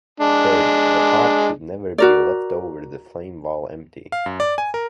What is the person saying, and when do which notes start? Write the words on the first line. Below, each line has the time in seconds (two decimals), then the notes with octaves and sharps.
Third, the pot should never be left over the flame while empty.
0.20 G#3 D4
1.98 F#4 A#4 D5
4.12 F5
4.26 F#2
4.40 D5
4.58 G#5
4.74 A#4